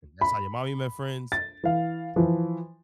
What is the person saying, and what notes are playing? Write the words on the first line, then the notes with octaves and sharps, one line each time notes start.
and that's how your mommy met friends,
B5
A6
E3 F5
E3 F3